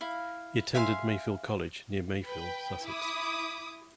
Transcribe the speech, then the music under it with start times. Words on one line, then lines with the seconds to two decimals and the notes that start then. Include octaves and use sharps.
He attended Mayfield College near Mayfield, Sussex.
0.01 E4 F5
0.75 E5 F5 G#5 C6
2.25 B4 G5
2.84 E4 D6 D#6